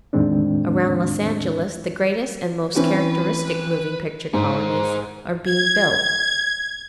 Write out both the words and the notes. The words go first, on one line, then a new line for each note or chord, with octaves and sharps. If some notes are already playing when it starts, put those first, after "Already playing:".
Around Los Angeles the greatest and most characteristic moving picture colonies are being built.
E2 A2 D#3 G#3 C4 D4
E3 C4 C#4 B4
G#2 G#4 C5
G#6